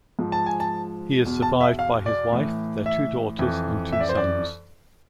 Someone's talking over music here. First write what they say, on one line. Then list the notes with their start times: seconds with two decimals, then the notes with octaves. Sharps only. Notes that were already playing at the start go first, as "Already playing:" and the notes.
He is survived by his wife, their two daughters and two sons.
0.19 G#2 F3
0.32 A5
0.46 G#5
0.60 A5
1.25 E2 B2
1.42 A5
1.61 E5
1.79 F5
2.06 D5
2.32 A2 E3
2.86 E5
3.39 F2 E3
3.93 E5
4.00 D5
4.09 C5
4.17 D5